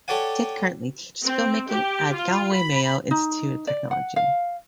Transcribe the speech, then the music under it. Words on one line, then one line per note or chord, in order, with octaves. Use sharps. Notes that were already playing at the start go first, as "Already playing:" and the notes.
Dick currently teaches filmmaking at Galway-Mayo Institute of Technology.
G4 A4 C#5 D5 F#5 G#5
C4
G4
F4
B5
D#4
D5
F#5
F5